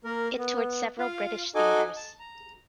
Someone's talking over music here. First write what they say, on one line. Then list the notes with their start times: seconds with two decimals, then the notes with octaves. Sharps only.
It toured several British theatres.
0.05 A#3 A#4
0.38 B3
0.99 F4 F5
1.55 D#4 F#4 A4 D#5 G#5 D6
1.96 A5
2.19 A#5